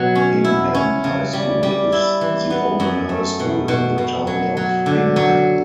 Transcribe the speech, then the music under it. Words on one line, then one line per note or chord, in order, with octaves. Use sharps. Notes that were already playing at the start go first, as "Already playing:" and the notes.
Hingham High School is the only High School in the town of Hingham.
Already playing: B2 F#3
C#4
E4
C#4
C#3
G3
G3
E4
E3
B3
F#2
A3
B2
B2
B2
F#3
F#3
D3
F#3